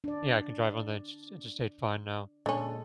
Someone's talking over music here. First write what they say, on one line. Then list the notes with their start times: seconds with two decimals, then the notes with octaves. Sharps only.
Yeah, I can drive on the insters interstate fine now.
0.04 D4 D5
2.46 A#2 D3 G#3 C#4 A4